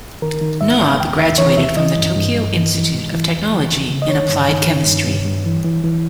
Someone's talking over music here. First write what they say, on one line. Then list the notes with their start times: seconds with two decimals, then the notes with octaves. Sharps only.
Nob graduated from the Tokyo Institute of Technology in applied chemistry.
0.22 D#3 A#4
0.41 D#3
0.61 G#2 E5
0.80 G#2
1.00 D#2 G5
1.19 D#2 E5
1.38 E3 C#5
1.57 D#2 E5
1.77 E3 D#5
1.97 G2
2.16 G2
2.35 G2
2.55 E3
2.74 E3
2.93 G#2
3.13 E3
3.33 E2
3.52 E3
3.71 E2
3.90 C#3
4.02 D#5
4.09 D#3 C#5
4.29 G2
4.48 D#3
4.67 D#3
4.87 G2
5.06 G2
5.25 G2
5.46 E3
5.65 E3
5.84 E3